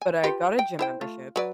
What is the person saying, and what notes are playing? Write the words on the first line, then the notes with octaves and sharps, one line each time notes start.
But I got a gym membership.
G#5
F4 G4 B4
G5
E4 C5 G5
A3 F4
F#3 B4 D5